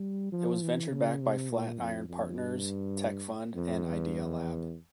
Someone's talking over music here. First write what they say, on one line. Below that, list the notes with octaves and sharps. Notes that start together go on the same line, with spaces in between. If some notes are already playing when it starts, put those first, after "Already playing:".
It was venture backed by Flatiron Partners, TechFund, and idealab!
Already playing: G3
F3
E3
C#3
C3
A#2
F2
F2
G2
F2
E2